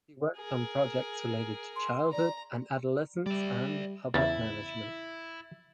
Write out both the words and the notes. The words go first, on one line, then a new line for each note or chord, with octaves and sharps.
She worked on projects related to childhood and adolescence and public management.
G#4 A#4
C6
D5 A#5
G3 D5 E5
E2 C#3 E4 E5 A6